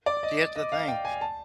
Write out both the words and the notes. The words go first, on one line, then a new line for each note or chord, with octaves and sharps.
here's the thing.
D5
D#5
D#5
D#5
F5
G5
G#5
A5